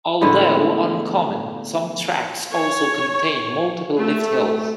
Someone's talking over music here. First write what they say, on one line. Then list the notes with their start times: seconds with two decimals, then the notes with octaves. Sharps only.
Although uncommon, some tracks also contain multiple lift hills.
0.21 A2 D3 G#3 B3
2.52 C#5
3.98 A3